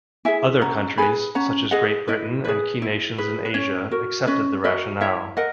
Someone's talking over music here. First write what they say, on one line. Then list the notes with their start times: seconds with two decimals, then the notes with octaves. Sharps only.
Other countries, such as Great Britain and key nations in Asia, accepted the rationale.
0.25 E4 G#4 E5 G#5
0.61 C#4 F#5 A#5
0.98 G#4 B4 G#5 B5
1.35 C#4 F#5 A#5
1.71 G#4 B4 D#5 F#5
2.08 E4 B4 D#5
2.44 G#4 B4
2.82 E4
3.18 G#4 B4
3.45 B4
3.54 C#4 C#5
3.91 F#4 A#4
4.27 C#4 B4 D#5
4.64 F#4 A#4 B4 D#5
5.01 E4 C#5 E5
5.37 A#4 D#5 F#5